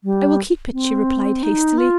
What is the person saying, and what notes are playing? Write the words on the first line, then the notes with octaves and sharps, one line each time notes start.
"I will keep it," she replied, hastily.
G3
C4
D#4
F4